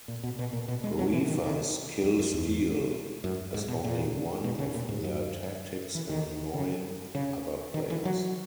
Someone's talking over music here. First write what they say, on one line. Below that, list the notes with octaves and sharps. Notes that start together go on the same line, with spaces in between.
Griefers kill steal as only one of their tactics in annoying other players.
A#2
B2
B2
A#2
B2
G#3
F#3
E3
D#3
D#3
F#2
F#2
E2
F#2
G#2
B2
A#2
B2
C#3
A#2
G#2
F#2
E3
D#3
C#3
C#3
D#3
E3
F#3